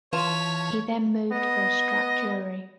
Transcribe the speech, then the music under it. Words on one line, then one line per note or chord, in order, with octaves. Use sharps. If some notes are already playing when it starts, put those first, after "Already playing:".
He then moved for a struck jury.
E3 F4 C#5 A5 F6 B6
B3 D#5